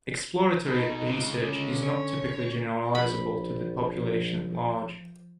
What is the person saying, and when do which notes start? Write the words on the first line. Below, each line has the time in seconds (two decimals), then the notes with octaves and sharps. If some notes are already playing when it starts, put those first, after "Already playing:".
Exploratory research is not typically generalizable to the population at large.
0.66 B2 D#4
1.06 C#3 G#3
1.35 D3 C#4
1.83 C#5
2.95 A#1 F3 B5